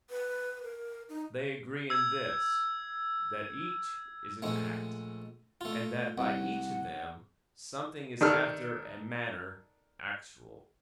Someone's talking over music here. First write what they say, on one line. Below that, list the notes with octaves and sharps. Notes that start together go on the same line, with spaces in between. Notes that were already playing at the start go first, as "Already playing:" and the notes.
They agree in this, that each is an act; and that by each of them something is after a manner actual.
B4
A#4
D#4
E6 G#6
A#1 G#3 A3
A3 F4
C2 F#5
D#3 D4 A4 F6